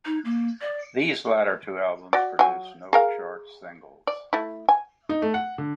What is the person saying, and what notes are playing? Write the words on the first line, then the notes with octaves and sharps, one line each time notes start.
These latter two albums produced no chart singles.
D#4
A#3
D5
F#4 D5
F#3 G#5
G#4 A#4 F5
D5
A3 E4
G#5
D#4
A3
F#5
D3